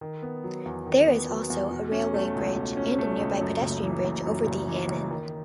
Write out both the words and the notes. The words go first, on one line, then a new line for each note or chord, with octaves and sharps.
There is also a railway bridge and a nearby pedestrian bridge over the Annan.
D#3
B3
F#3
E2
D#3
B3
F#3
E2
B2
C#4
A3
C#2
B2
C#4
A3
C#2
F#2
F#1
E3
F#1
F#2
F#1
E3
F#1
D#3